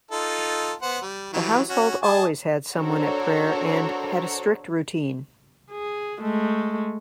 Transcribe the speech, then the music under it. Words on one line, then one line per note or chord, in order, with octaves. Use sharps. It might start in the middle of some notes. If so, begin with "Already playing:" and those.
The household always had someone at prayer and had a strict routine.
D#4 F4 A4
B3 C5 F#5
G3
E3 F#3 G3
C#4 F#4
G#4 D#5 A5
D4 F#4 A4 A#4 C5 C#5
G#4
G#3 A3